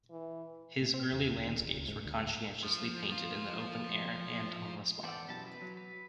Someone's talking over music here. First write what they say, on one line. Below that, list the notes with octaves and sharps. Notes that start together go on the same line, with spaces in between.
His early landscapes were conscientiously painted in the open air and on the spot.
E3
A2
C4
E2
D2
D#3
D1
C#2
G#2
D2
G#2
F3
F3 F4
E2 B3 A4 C5 D5
F#2 B2 E4 G4 A5
B4
F#3
B4